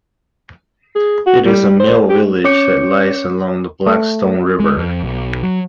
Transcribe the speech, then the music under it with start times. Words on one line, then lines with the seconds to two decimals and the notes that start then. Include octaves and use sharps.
It is a mill village that lies along the Blackstone River.
0.96 G#4
1.26 F#4
1.46 G3
1.80 C5
2.10 G4
2.44 C#4 C#5 D6 C#7
3.87 A3
4.60 G#3
4.77 F2
5.03 B1
5.43 F#3